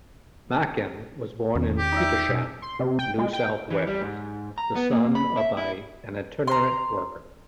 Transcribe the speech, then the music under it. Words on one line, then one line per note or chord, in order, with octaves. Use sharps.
Makin was born in Petersham, New South Wales, the son of an itinerant worker.
E2 D#3 C#4
G4
D#4 D5 E5
B2
C6
C3
G5
G#3
G5
E3
G3
G#2
A#5
B3
A#3
B5
E5
E4
A#5 C6